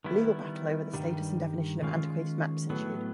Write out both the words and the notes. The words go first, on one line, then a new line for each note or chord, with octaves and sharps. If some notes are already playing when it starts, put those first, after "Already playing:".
A legal battle over the status and definition of "antiquated maps" ensued.
D#3 G3 B3 E4
G2 D#3 G3
D#3 G#3 C#4 F4
A2 F#3 B3